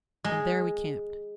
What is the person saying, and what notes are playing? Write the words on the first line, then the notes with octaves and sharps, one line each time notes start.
And there we camped.
G#3